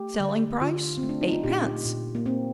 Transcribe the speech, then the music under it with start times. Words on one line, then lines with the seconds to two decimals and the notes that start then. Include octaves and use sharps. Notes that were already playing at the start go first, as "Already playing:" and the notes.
Selling price, eightpence.
Already playing: A3 G4
0.20 D3
0.61 D3 F4
0.98 C4
1.03 A3
1.09 D4
1.21 D#4
1.32 F4
1.43 A#2 G4
1.85 A#2
2.15 A#3
2.26 A#3 C4